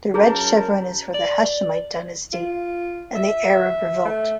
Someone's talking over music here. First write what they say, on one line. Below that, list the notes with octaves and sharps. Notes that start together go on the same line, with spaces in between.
The red chevron is for the Hashemite dynasty, and the Arab Revolt.
F#2 F#4 G#4 A#4 A5 A#5 G6
D5
F4
E5
A3